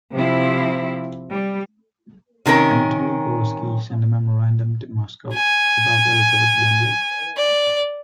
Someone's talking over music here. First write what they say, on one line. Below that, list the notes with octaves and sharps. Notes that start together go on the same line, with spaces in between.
Anatoly Gorsky sent a memorandum to Moscow about Elizabeth Bentley.
C3 F3 C4 E4
G3
C3 D#3 C#4 A#4
G#5
D5